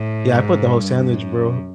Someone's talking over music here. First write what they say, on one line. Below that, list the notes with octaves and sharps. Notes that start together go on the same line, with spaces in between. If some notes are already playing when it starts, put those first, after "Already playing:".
Yeah, I put the whole sandwich, bro.
Already playing: A2
G#2
G2
F#2